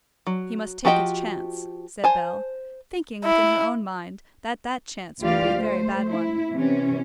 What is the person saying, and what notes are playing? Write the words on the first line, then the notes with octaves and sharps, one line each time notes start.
"He must take his chance," said Bell, thinking within her own mind that that chance would be a very bad one.
F#3
F3 F#4 G4 D#5 G5
C5 G#5 A5
E4
D2 E3 F4 G4 D5 F5
A3 C5
E4
C3 E3 C#4